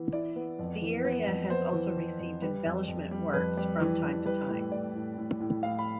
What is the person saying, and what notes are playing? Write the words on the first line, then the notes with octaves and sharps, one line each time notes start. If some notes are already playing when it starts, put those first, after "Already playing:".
The area has also received embellishment works from time to time.
Already playing: E3 B3 E4
E4 D5
B3
F2
E3
B3
F2
B3 C5
E3
E3
F2
G3 B4
F2
F2
G3
F2 B4
G3
E3
E3
G3 B4
A2
A2 D5
A2
A2
A2
A2 F5
B5